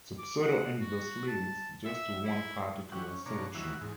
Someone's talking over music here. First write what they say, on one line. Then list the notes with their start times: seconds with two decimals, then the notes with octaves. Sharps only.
The pseudo-inverse leads just to one particular solution.
0.19 D6
0.42 F#5
0.81 F#4
1.27 A5
1.85 E5
2.25 E4
2.92 E3 C#4 G4 F#5
3.08 C#4
3.26 B2 A#3 D4 C#5
3.55 D#2 E3 E4 F#4
3.81 E2 G#2